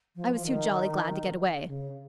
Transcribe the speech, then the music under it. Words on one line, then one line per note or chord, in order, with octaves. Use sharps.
I was too jolly glad to get away.
F3
F3
D#3
C#3